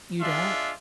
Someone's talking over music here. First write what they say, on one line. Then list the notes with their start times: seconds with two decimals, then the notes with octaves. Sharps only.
You don't?
0.21 G#3 D4 F4 E5 C6